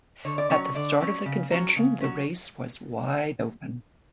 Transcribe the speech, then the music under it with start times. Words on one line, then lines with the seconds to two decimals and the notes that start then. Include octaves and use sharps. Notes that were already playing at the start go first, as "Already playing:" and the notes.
At the start of the convention, the race was wide open.
0.25 D3 C#5
0.38 D5
0.50 F#3 C#4 C#5
0.75 D3 D5
1.01 F#3 C#4
1.25 C#3
1.51 F#3 C#4
1.76 C#3
2.01 F#3 C#4